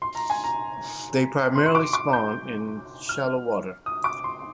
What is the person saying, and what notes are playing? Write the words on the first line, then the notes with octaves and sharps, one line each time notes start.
They primarily spawn in shallow water.
C6
A#5
G#5
A#5
C6
C6
D6
D6
G6
F6
D#6
D6
C6